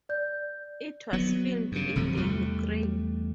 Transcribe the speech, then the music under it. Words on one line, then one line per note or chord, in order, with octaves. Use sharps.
It was filmed in the Ukraine.
D5 G6
F#3 B3
G2 C#3
G1 C3 F3 F#3
E2 G3 A3